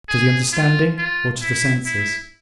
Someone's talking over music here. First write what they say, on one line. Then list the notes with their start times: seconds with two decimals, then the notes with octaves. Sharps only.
To the understanding or to the senses?
0.09 G#4
0.53 F4
0.98 F4
1.42 E4
1.86 E4